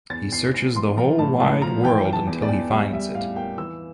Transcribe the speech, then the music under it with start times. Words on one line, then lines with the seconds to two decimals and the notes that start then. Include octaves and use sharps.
He searches the whole wide world until he finds it.
0.10 E2 A6
0.32 E2 C7
0.54 E2 A#6
0.75 E3 C6
0.97 F3 A#5
1.18 A2 A5
1.40 A2 A5
1.62 F3 A#5
1.84 E3 G5
2.05 E3
2.13 A5
2.27 E2
2.43 D5
2.49 E2
2.71 G3 E5
2.93 G3 E5
3.14 A2 F5
3.36 A#3 G5
3.58 E3 E6